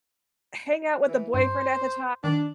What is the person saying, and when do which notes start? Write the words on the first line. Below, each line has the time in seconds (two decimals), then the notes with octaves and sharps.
hang out with the boyfriend at the ti
1.07 E3
1.34 G2 C5
2.24 D#3 D4